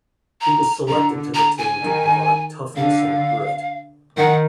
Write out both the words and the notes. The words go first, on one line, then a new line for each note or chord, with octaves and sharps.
He was selected to the team to provide toughness and grit.
A#5
D3 A#5
A#5
G#5
D#3
D3 F5
D#3 F#5